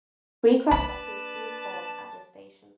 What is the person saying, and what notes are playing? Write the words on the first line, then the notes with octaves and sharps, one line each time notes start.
Frequent buses do call at the station.
A#3 D4 B4 D5 A5 B5